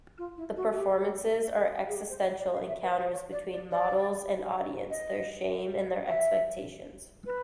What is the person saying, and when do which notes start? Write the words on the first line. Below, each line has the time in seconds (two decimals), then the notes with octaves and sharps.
The performances are existential encounters between models and audience, their shame and their expectations.
0.18 F4
0.37 E4
0.56 F#4
0.72 F#4
0.77 G4
1.88 G#4
1.94 G4
2.09 C5
2.39 D5
2.53 F5
2.68 E5
2.83 B4
2.97 C5
3.12 C#5
3.32 D5
3.52 D5
3.71 D5
4.90 D#5
6.07 E5
7.26 B4